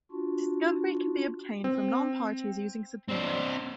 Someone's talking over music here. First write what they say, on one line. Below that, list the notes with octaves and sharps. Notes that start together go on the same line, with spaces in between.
Discovery can be obtained from non-parties using subpoenas.
D4 F4 F#4
C4
C4 D4